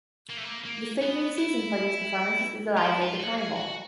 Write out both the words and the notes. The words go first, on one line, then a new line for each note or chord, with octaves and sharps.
The favorite season for these performances is the last day of the Carnival.
A#3
A3
A#3
A#3
B3
E4
F4
E4
F4
F#4
G#4
F#4